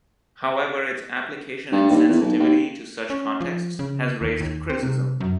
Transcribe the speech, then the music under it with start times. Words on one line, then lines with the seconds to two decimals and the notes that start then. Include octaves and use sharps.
However, its application insensitivity to such contexts has raised criticism.
1.72 G2
1.90 D#2
2.09 E2
2.21 B1
2.39 D#2
3.10 C#4
3.41 F3
3.79 C#3
4.21 D#2
4.41 D#2
4.70 C4
4.83 C3
5.20 F#2